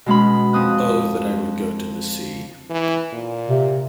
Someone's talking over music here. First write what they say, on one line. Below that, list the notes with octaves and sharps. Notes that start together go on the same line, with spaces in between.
O that I would go to the sea!
B2 G#3 C#4 B5
F2 C4 D#6 F#6
E3
A#2
C3